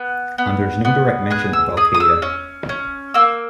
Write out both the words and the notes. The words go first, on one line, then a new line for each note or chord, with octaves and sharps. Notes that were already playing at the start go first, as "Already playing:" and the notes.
And there is no direct mention of Al-Qaeda.
Already playing: B3
B3
B3
G#4 F#6
E6
G#4 D#6
D#6
E6
C#4
C#4
A#3 E6